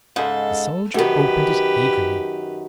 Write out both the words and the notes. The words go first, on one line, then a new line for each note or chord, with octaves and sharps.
The soldier opened it eagerly.
G#2 C#3 G#3 A4
F#2 D#3 G4 B4